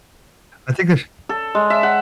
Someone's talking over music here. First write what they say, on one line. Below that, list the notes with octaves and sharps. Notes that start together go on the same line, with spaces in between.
I think there's
A4
G#3
E5
F#5